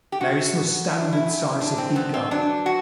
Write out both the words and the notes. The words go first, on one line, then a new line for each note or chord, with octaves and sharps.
There is no "standard" size of bigha.
G4
D3 F#4
B3
F#3 E4
D4
E4
F#2
D3 D4
C4
B3 C4
C4
F#3 D4
F#4